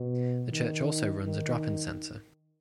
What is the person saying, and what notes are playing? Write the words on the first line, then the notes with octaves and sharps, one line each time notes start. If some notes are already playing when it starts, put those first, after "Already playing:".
The church also runs a drop-in centre.
Already playing: B2
D#3
D#3